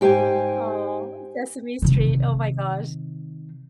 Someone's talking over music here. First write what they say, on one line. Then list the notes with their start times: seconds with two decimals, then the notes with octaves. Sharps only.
Oh, Sesame Street, oh my gosh.
0.01 G#2 G4 C5 G5 G#5
1.82 C3 D#3